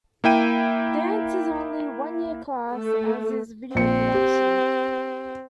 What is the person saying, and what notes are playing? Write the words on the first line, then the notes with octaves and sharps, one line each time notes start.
Dance is only a one-year class, as is Video Production.
A#3 E4 G5 D#7
A3
A#1 C4 C#7
G4